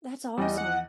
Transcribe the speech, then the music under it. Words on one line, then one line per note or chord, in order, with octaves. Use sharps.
that's awesome.
E2 G3 D#5
F#5